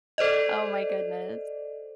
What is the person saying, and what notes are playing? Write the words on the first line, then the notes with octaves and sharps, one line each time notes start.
Oh my goodness.
A4 C5 D5 D#5